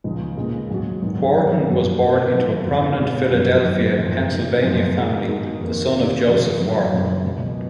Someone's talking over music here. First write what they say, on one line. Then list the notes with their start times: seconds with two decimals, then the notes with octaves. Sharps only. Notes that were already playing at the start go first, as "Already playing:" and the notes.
Wharton was born into a prominent Philadelphia, Pennsylvania family, the son of Joseph Wharton.
0.04 C#2 C#3 F3 B3 D#4
0.37 D#2 C#3 G#3
0.70 G#2 F#3 C#4 F#4
1.02 G#2 D#3 F#3 B3 D#4
1.35 D#3 F#3 B3 F#4
1.68 F#2 F3 B3 F#4
2.01 B2 A#3 F4 A#4
2.34 D#3 F#3 A#3 F4
2.66 F2 F3 B3 F4 B4
2.99 B2 G#3 B3 D#4
3.31 F#2 F3 A#3 C#4 F4
3.64 F#2 D#3 F#3 B3 D#4
3.97 F#2 C#3 F3 B3
4.30 F3 G#3 D#4 A#4
4.62 F#2 C#3 F3 B3 D#4
4.95 D#3 G#3 D#4 A#4
5.28 D#3 G#3 B3 D#4 F#4
5.61 F2 D#3 A#3
5.93 D#3 A#3 F4
6.26 C#3 F3 G#3
6.59 D#3 F#3 C#4 F4
6.92 F#2 C#3 F#3
7.25 C#2 B2 F#3 B3